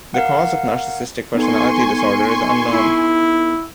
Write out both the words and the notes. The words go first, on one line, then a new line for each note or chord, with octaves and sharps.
The cause of narcissistic personality disorder is unknown.
A#4 F5 F#5
B3 D#4 A4 G#5 C6 C#6
E4